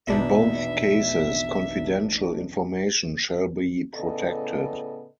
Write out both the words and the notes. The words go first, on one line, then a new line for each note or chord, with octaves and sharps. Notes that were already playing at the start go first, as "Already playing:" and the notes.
In both cases confidential information shall be protected.
A#1 E2 B2 D4 D#4 E5
A2 C#3 B3 A4 D5 D#5